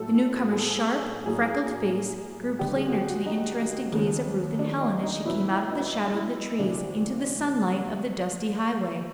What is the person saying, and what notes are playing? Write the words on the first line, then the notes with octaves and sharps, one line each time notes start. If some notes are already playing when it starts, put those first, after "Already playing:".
The newcomer's sharp, freckled face grew plainer to the interested gaze of Ruth and Helen as she came out of the shadow of the trees into the sunlight of the dusty highway.
Already playing: A2 F#3 A3 A4
G#4
A4
A2 F#3 A#3 G#4
D2 D3 G3 G4
G#4
F#4
G4
F#4
D#4
D#2 C#3 F3
D4
D#4
D#4
A#2 F#3 B3 E4
E4
D#4
D#4
E4
D2 C3 E3 D4